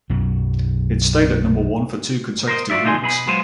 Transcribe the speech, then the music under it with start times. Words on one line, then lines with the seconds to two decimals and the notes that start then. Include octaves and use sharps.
It stayed at number one for two consecutive weeks.
0.10 B1 F#2 F#3
2.48 A#4 C5 D#5
2.70 F4 F#4 A#4 D5 E5
2.84 B2 D3 D#4 E5 G#5 C6
3.02 B2 G#4 B5
3.27 F#3 G#3 B3 F4 C5 G#5